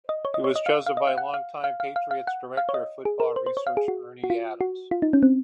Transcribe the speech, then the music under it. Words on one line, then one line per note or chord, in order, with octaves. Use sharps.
He was chosen by long time Patriots director of football research Ernie Adams.
D#5
C#5
D#5
C#5
D#5
F5
F5
D#5
F5
F#5
F5
F5
F5
F5
F5
F#5
F5
C#5
D#5
G#4
A#4
C5
C5
C#5
F5
G#4
F#4
F#4
F4
F#4
F4
D#4
C#4
C4